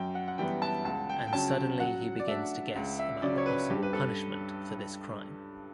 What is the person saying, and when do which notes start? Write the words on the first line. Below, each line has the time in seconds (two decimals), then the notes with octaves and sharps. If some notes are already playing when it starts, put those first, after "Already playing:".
And suddenly he begins to guess about the possible punishment for this crime.
Already playing: F#2 G5
0.15 F#5
0.28 F#5
0.38 E3 G3 B3 G5
0.62 A5
0.85 C#2 A5
1.09 G5
1.27 G5
1.33 C#3 F#3 C#4 A5
1.80 F#3 F#5
2.19 D5
2.28 A3 D4 E5
2.76 C#2
2.99 E5
3.22 C#3 F#3 C#4 D5
3.38 C#5
3.46 B4
3.70 G2 G4
3.83 B4
3.93 A4